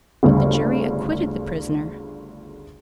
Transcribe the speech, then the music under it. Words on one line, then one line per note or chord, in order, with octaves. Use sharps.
But the jury acquitted the prisoner.
G1 D2 C#3 G3